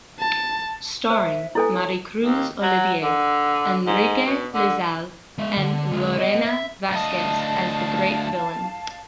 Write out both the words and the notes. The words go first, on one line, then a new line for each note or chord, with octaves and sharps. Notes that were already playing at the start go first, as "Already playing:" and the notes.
Starring Maricruz Olivier, Enrique Lizalde and Lorena Velázquez as the great villain.
A5
C5 E5
E4 A4 B4 G#5
C#5
D#2
F#3
D3
G#2
B2
D3
G#3 E5
D3
D3 G#3
B3 D#5
E5
D2 D#5 F5 A5